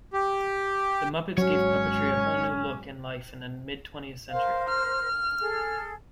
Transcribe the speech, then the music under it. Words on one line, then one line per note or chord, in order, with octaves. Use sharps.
The Muppets gave puppetry a whole new look and life in the mid-twentieth century.
G4
G#1 F#3 G#3 C#4 C#5
A#4 C5 F5
F6
G#4 A4